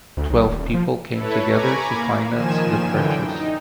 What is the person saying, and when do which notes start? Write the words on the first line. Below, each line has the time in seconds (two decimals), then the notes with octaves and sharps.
Twelve people came together to finance the purchase.
0.17 D2
0.30 B1
0.47 D#1
0.74 F3
1.13 E4 A4 B4 C#5
1.47 G#5 A#5 B5 C#6 D6 G#6
1.89 A#3
2.31 A#2 D#3 F3 G#5 E7
2.84 F#2 D3 E3 G5
3.20 D#4